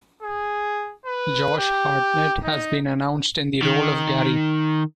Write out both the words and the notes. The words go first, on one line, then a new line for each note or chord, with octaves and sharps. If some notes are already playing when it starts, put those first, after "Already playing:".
Josh Hartnett has been announced in the role of Gary.
G#4
B4
G4
D#4
D#3